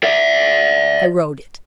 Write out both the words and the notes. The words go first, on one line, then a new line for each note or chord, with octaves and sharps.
I wrote it.
D5 E5